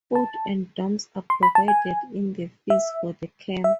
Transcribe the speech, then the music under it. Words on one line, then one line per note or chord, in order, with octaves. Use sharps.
Food and dorms are provided in the fees for the camp.
A5
C6
B5
A5
G#5
E5
E5